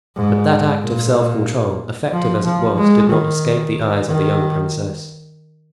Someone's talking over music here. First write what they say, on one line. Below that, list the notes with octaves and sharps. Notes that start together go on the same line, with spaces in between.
But that act of self-control, effective as it was, did not escape the eyes of the young princess.
G#2
A#2
F3
F3
G#3
D#3
D#3